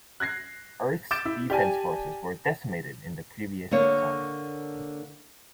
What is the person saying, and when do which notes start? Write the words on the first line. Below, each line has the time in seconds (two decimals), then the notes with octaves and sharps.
Earth's Defense Forces were decimated in the previous saga.
0.20 F#6 G#6 A#6 C7
1.11 D6 G6 A6 D7 E7
1.26 E4 E5
1.50 G4 D5 G#5 A5
3.71 D3 A#3 C#5